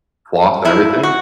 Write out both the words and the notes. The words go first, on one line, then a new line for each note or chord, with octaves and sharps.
floss and everything?
D3 F#3 A#3 E4
F#4